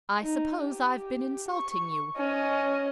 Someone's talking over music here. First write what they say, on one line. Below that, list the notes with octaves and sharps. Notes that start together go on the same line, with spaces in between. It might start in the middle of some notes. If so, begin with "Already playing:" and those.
I suppose I've been insulting you.
D#4
G4
C#6
C#4 D#5